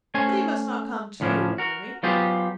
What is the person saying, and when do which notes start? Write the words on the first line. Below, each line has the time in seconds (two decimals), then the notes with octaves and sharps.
But he must not come too near me!'
0.14 A3 C#4 C5 G#5
1.20 D2 A2 F3 C#4 D4
1.58 F#4 A#4
2.03 F#3 B3 F4 G4 G#4 C5